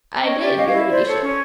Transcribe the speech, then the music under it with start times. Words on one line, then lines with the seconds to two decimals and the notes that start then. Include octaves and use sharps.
"I did, your ladyship."
0.23 C#4 C#5 D#5
0.40 G4 D5 E5
0.56 C#4 D#5 F5
0.67 D#5 F5
0.73 E4
0.89 C5 D5
1.06 A4 C#5
1.22 C#4 C#5